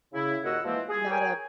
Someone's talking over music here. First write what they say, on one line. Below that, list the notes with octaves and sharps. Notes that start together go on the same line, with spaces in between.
not a
C#3 E4
D#2 A#2 F#4 D#5 F#5 E6
E3 F3 G#3 A#3 C4
G#4
A#4 C#5 G5 G#5